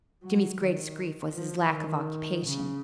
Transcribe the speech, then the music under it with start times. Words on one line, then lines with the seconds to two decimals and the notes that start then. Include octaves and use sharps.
Jimmy's greatest grief was his lack of occupation.
0.23 F#3
0.60 D#3
1.34 F3
1.71 D#3
2.46 C#3